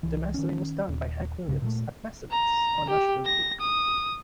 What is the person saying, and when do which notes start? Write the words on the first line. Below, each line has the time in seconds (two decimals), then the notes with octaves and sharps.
The mastering was done by Hank Williams at MasterMix, on Nashville too.
0.03 C2 E3
0.34 D#3 C#4
0.88 D#1
1.47 B1 G2 C#3
1.62 A#2 F#3 A3
2.32 A#5
2.90 G4
3.25 A#6
3.61 D#6